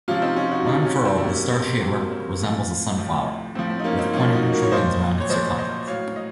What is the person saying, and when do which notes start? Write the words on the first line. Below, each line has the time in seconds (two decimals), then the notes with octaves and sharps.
When unfurled, the starshade resembles a sunflower, with pointed protrusions around its circumference.
0.08 C3 F3 C#4 F4
0.22 C4 D#4
0.36 C#4 F4
0.51 D#4 F#4
0.65 C3 F3 D#4 F#4
0.85 C#4 F4
1.04 C4 D#4
1.18 C4
1.23 C3 F#3 A#3 C#4
1.53 C4
1.81 C3 F#3 C4
2.00 A#3
2.11 C4
2.39 A2 F3
2.98 A2 F3
3.55 A2 F3 C4
3.70 C4
3.80 D#4
3.84 A#3 C#4
3.99 C4 D#4
4.13 A2 F3 C#4 F4
4.32 D#4 F#4
4.52 F#4 A#4
4.63 C#5
4.72 A#2 F3 C5 D#5
5.20 C#5
5.30 A#2 F3 C5 D#5
5.58 C5 D#5
5.87 A2 F#3 C#5 F5
6.16 D#5